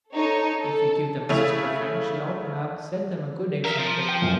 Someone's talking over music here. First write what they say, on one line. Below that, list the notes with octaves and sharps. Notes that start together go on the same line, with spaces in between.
If you give them a sister-friend she ought to have set them a good example.
D#4 A4 C#5
A4
C#3 A3 E4 F7
A#4 E5 F5
F3
G5
F#2 A#2